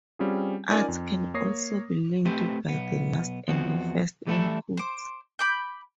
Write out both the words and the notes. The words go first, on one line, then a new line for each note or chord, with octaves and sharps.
Arts can also be linked by the last and first inputs.
G3 C4 C#4 F4 F#4 G#4
C#4 D#4 F4 A#4 D5 G#5
F2
A#3 C#5 D#6 A#6 C7
A3 C4 G4 B4 C5
B1 B3
E2 F3 B3 C4 F#4
E3 G3 A3 B3 E4 A4
C5 D6
B5 D6 G6